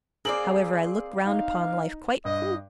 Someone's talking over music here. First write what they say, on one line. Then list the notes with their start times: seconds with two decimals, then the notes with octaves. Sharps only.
However, I look round upon life quite cool.
0.25 A#3 C4 G#4 D5 F#7
1.25 D#4 F5
2.25 G2 D#5